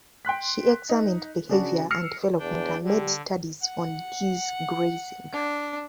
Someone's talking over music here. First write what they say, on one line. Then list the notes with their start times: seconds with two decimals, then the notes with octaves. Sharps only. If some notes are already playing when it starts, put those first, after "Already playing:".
She examined behaviour and development and made studies on geese grazing.
0.25 G5 C6 F#6 B6
0.89 D#4
1.49 C#3 D4 F#4
1.91 E6 F6 A#6 C7 C#7
2.39 E2 D4 G5
2.84 D3 G3
3.62 F#5
5.33 D4